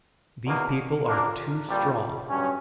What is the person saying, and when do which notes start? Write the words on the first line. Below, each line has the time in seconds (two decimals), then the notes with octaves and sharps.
These people are too strong.
0.45 E2 B2 A#3
1.06 A#1 A#2 A#3 D4 A#4
1.67 A#1 A#2 G3
2.29 G2 F#3 C#4